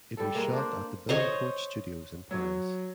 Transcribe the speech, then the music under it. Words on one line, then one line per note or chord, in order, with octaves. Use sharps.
It was shot at the Billancourt Studios in Paris.
G3 A4
G#3 A#3 F5
D4 C5
C5 C#5 D#5
F#3